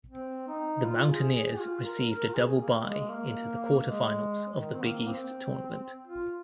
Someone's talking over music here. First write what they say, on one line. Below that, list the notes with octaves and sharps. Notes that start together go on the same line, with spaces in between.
The Mountaineers received a double-bye into the quarterfinals of the Big East Tournament.
C4
D#4
F4
G#4
G#4
F4
A#4
A#4
F4
G#4
A#3
G#3
A#3
G#3
D#3
C4
A#3
A#3
C4
F4